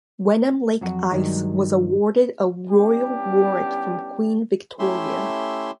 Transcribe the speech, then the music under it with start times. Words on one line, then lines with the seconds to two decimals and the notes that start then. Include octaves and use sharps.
Wenham-lake ice was awarded a royal warrant from Queen Victoria.
0.81 F2 F#3 F#4
1.11 G2 D#3 F#3 G#3
2.70 G3 B3 C#4 D4 E4 G4
4.79 A3 C#4 E4 G4 E5 C6